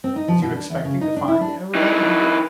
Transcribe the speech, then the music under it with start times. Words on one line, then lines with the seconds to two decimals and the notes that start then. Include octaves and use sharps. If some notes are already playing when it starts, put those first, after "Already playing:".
"Was you expecting to find the Arabella here?"
0.04 C4
0.16 D#4
0.28 F3
0.42 B2
0.55 D4
0.70 E2
0.85 C#3
1.01 D#4
1.16 D4
1.28 E4
1.41 D4
1.75 E3 D#4